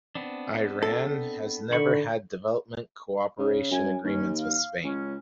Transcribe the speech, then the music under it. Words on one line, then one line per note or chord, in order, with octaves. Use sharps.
Iran has never had development cooperation agreements with Spain.
B3 C4 D4
A4
D3 D#3 B5 C#6
C#3
F#2 G#5
D#2 C#4
F5
C#2 C#4